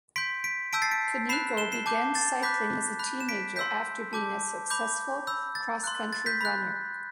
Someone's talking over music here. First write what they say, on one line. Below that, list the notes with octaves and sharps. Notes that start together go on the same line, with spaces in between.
Cunego began cycling as a teenager after being a successful cross-country runner.
C6 G6 B6 D7
B6 D7
A5 E6 G6 B6 D7
A6 C7
B6 D7
B5 F#6 C7 E7
E7 G7
C7 E7
A5 D6 G6
A6
B5 D6 F#6 G6 B6
B5 F#6
E7
B6 D7
C6 E6 G6 B6
A5 D6 G6
B5 D6 G6
B5 E6 G6
A6
C6 F#6
A6
G6 B6
B5 F#6